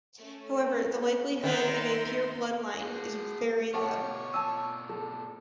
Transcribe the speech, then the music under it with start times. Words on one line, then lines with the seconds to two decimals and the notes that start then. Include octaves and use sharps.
However, the likelihood of a pure bloodline is very low.
0.20 A3 C#4
1.44 D#3 B3 E5 A#5 C6
2.80 F#4 G#4
3.74 B2 F4 G4 C#5 F#5 A5
4.34 G#5 A5 E6
4.89 G#4 A4